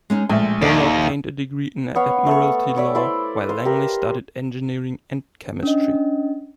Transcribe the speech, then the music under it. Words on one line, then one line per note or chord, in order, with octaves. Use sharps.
Homer obtained a degree in admiralty law, while Langley studied engineering and chemistry.
G#3 C#4 D#4
A#1 G#3 A3
D#2 D5
B3 C#5 F5
A3 C#6
C#5 D5 E5
E4 C5 D5
C5 F5
G4 A#4
C#4 D4 D#5